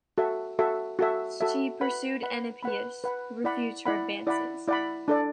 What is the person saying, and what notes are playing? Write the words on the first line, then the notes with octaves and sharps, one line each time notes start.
She pursued Enipeus, who refused her advances.
F#4 A4 E5
F#4 A4 E5
F#4 A4 E5
F#4 A4 E5
B4 F#5 B5
B4 F#5 B5
B4 F#5 B5
B4 F#5 B5
E4 D5 F#5 B5
E4 D5 F#5 B5
E4 D5 F#5 B5
E4 D5 F#5 B5
D4 A4 D5